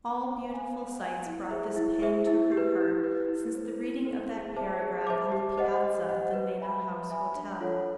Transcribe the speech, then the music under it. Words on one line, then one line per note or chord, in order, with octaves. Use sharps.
All beautiful sights brought this pang to her heart since the reading of that paragraph on the piazza of the Mena House Hotel.
C5
F5
G#5
C5
F5 G#5
E4
G#4 C5 E5
E4
G#4 C5 E5
E4
G4
B4
E4
G4 B4
E4
A4 C5
E4
A4 C5
G#4
C5 E5 A5 D6
G#4
C5 E5 A5 D6
G4
C5 D#5 F#5
G4
C5 D#5 F#5
B4
E5 G#5 B5
B4
E5 G#5 B5
D4
F4 A4 C#5 F#5